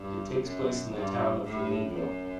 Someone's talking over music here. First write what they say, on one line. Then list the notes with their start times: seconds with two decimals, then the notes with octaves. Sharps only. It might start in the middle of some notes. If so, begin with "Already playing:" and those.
It takes place in the town of Foligno.
Already playing: G2
0.42 F#2
0.92 G2
1.43 A2
1.94 F#2